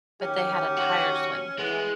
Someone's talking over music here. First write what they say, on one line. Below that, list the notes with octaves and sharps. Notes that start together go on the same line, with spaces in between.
But they had a tire swing,
D#2 F#3 C#4 G4
F#4
E3 G#3 B3